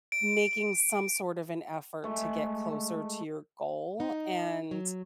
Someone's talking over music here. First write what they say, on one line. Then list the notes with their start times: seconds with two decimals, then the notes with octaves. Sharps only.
making some sort of an effort to get closer to your goal and
0.12 D7
2.03 G#3 A3
4.00 D#4
4.71 F#3